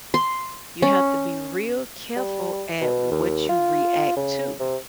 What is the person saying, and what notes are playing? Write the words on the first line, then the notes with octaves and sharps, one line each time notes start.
"You have to be real careful at what you react to."
C6
C#4
G3
B2
D#2
F4
C#3
C3